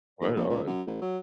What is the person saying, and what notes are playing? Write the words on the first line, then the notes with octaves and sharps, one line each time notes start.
Right on.
D#2
A#1
C#2
F#2
A1
F#3